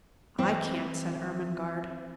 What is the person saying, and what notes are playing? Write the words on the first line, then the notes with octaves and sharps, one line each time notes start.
"I can't," said Ermengarde.
E3 C4